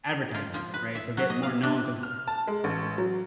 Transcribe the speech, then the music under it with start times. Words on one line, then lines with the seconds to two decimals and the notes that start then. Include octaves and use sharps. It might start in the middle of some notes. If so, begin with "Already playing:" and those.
advertisement," right? So, get more known 'cause"
0.34 F4
0.54 F3
0.74 B4
0.95 E5
1.17 F#3
1.30 D#5
1.43 F5
1.63 D4
2.03 F6
2.27 A5
2.47 G#3
2.64 A1
2.98 F#3